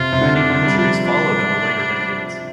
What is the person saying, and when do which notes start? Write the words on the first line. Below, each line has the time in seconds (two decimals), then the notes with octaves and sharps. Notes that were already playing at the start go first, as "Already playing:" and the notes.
Many ministries followed in the later decades.
Already playing: C3 F4
0.13 C3
0.21 D3
0.35 D4
0.50 D3
0.67 G3
0.78 F3 D4
1.05 D4